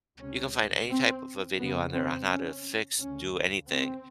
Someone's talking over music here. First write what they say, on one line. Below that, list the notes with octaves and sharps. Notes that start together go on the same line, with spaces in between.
you can find any type of a video on there on how to fix do anything.
C#2 C3 C#4
C4
F2 C#3 B3
C4
C#4
D2 C#3 C#4
C4